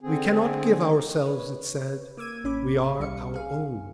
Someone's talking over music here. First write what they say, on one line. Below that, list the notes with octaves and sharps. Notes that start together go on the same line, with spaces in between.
We cannot give ourselves, it said: we are our own.
D3 C4 G#4
B4 C#5
A#3 D6 E6 G#6 D#7
A1 C#4 B5 D6
C2 G3 F5 C#7
G#4 F5